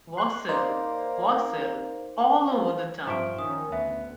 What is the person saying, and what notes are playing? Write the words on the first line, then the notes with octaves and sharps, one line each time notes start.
Wassail, wassail all over the town.
C6 F#6
A#3 D#4 C5 D5
F3
G2 F3 C5 E5 C#6 D7
D#3 C#4 D#6
D2 B3 E5